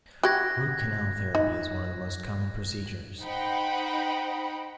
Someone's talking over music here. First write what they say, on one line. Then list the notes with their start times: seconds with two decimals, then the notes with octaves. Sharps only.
Root canal therapy is one of the most common procedures.
0.23 F#4 G4 F#5 F#6 G#6 A#6
1.35 D#4
3.21 D#4 C5 F#5 G5 B5